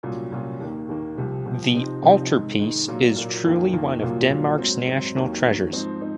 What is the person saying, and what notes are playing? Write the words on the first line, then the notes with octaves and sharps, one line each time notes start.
The altarpiece is truly one of Denmark's national treasures.
C2 A#2 F#3 C#4 F4
C2 A#2 F#3 C#4 F4
D#2 D#3 A#3
D#2 D#3 A#3
C2 C3 F3
C2 C3 F3
C3 F3 C4 D#4
C3 F3 C4 D#4
G#2 D#3 G#3
G#2 D#3 G#3
A#2 F#3 A#3 F4
A#2 F#3 A#3 F4
F2 D#3 A#3 F4
F2 D#3 A#3 F4
C2 A#2 F#3 A#3 F4
C2 A#2 F#3 A#3 F4
G#2 F#3 C4
G#2 F#3 C4
D#2 D#3 F#3 A#3
D#2 D#3 F#3 A#3
G#2 F3 C4 D#4
C4 D#4